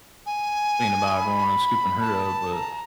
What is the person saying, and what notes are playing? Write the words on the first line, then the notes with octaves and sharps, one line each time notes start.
thinking about going and scooping her up, but,
G#5
B5
A5
A#5